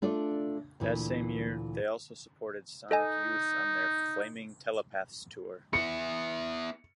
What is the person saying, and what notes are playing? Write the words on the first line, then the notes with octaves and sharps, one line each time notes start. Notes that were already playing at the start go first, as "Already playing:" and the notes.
That same year, they also supported Sonic Youth on their "Flaming Telepaths Tour".
A3 D4 F4 A4 D5
D2 A#2 E3
D#4 A4 D#5 G#5
B3 E4 C#7